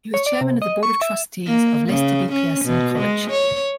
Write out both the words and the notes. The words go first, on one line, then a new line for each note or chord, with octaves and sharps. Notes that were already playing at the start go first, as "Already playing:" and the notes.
He was Chairman of the Board of Trustees of Lester B. Pearson College.
C#5
D5
C3
D#5
C#6
E5
A#3
C#3
C#4
B2
G#3
C#5